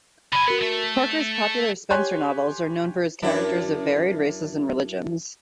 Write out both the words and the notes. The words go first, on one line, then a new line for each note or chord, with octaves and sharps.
Parker's popular Spenser novels are known for his characters of varied races and religions.
D3 G#5 B5
B3 F#4 A#4
A3
B6
G4 C#5 G#5 C6 F#6
F#2 D4 E4